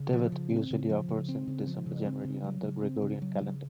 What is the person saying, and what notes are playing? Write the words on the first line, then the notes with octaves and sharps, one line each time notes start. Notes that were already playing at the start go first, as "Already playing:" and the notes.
Tevet usually occurs in December-January on the Gregorian calendar.
Already playing: C#3
F3
C#3
C4
C#3
F3
C#3
C4
C#3
F3
C#3
C4
C#3
F#3
C#3
C4
C#3
F#3
C#3